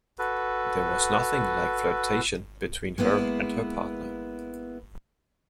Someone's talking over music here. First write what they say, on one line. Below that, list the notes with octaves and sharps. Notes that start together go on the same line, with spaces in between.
There was nothing like flirtation between her and her partner.
F#4 A4 B4
G#3 A#3 B3 E4